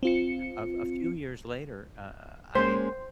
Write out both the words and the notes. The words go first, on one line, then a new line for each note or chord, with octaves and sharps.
a a few years later, uh, I
C4 F4 C#7
G#3 A#3 C#4 C5